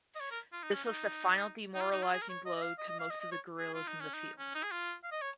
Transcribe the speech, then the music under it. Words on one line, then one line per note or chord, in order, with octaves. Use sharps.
This was the final demoralizing blow to most of the guerrillas in the field.
D#5
C#5
A#4
F4
D#4
C#4
D#4
D#4
F4
D#4
F4
G#4
A#4
C#5
D#5
D#5
F5
D#5
D#5
F5
D#5
D#5
C#5
G#4
F4
D#4
C#4
D#4
C#4
D#4
G#4
F4
F5
D#5
C#5